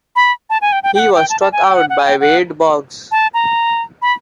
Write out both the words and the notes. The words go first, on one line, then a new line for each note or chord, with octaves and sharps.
He was struck out by Wade Boggs.
B5
A5
G#5
G5
G5
G5
F#5
G5
A5
A5
G#5
G5
F#5
F#5
G#5
G5
F#5
A5
A#5
B5